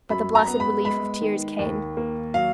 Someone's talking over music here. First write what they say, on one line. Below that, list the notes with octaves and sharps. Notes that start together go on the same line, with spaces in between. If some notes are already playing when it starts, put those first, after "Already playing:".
But the blessed relief of tears came.
F#2 B5
A#5
B3
B5
G#3 B5
D#3
D#2
A#3
F#3 F5